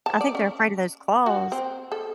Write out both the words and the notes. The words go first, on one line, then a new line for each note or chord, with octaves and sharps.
I think they're afraid of those claws.
A5
D5
C#4
F#4
C4
A4